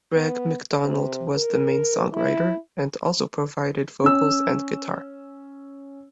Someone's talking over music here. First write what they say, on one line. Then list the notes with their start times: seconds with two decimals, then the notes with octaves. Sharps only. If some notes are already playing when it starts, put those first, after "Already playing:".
Greg McDonald was the main songwriter, and also provided vocals and guitar.
0.15 B3
0.84 C3
1.35 A#4
2.13 E4
4.04 C#4 E6